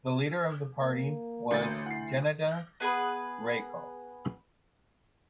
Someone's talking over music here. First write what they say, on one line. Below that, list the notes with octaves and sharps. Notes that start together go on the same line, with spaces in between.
The leader of the party was Gennady Raikov.
A#3
A1 D2 G6 A6
E4 F#5 C7
B3 G#4 A#4 B4